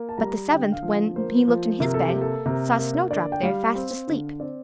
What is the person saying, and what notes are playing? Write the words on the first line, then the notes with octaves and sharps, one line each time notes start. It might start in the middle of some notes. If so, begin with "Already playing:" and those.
But the seventh, when he looked in his bed, saw Snowdrop there, fast asleep.
Already playing: A#3
A5
G3 A#5
D3 G5
F5
F3
A#3 C5
F3
C3 A#4
A4
A#3 G4
A4
C3 A#4
A#3
D3 D5
G5
G3 F5
C4
D3
C4 D5